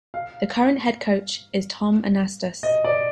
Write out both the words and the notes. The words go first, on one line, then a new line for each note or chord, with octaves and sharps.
The current head coach is Tom Anastos.
F5
D#5
D5